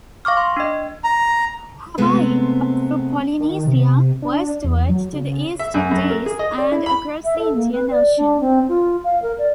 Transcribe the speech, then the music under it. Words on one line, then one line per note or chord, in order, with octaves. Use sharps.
Hawaii, up through Polynesia, westward to the East Indies and across the Indian Ocean.
F5 C#6 D6 F6
C6
D4 D#5
A#5
C3 G#3 A3 B3 C4
D#3
C3
D4
E2
F#3
C#3
E5
F#2
F#2
A#4
G#4
D#5
D5
E4
B5
E5
A4
A#3
B4
D5
D4
C4
F4
F5
A#4
D5